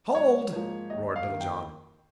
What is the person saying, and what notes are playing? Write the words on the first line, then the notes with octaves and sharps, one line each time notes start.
"Hold!" roared Little John.
G#1 C#5
G#2 F3 A#3
D#2 D#5
F5
D#3 A#3
G5